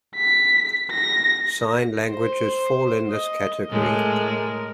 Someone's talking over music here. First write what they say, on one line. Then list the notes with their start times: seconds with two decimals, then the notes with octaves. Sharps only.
Sign languages fall in this category.
0.16 B6
0.92 A#6
2.11 C5
3.11 D#5
3.71 A2 G#3 A#4